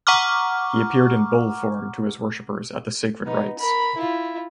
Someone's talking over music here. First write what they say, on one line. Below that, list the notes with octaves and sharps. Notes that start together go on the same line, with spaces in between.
He appeared in bull form to his worshipers at the sacred rites.
F#5 A#5 C#6 D6 F6
B3 D#4
A#4 B5
E4 F4